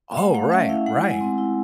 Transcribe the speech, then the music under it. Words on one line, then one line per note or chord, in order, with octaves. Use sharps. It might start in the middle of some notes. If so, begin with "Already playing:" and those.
Oh, right, right.
A3 F#5
A3 F5
C#4 E5
E4 F5
G#3 F#5
G#3
G#5
C4
E4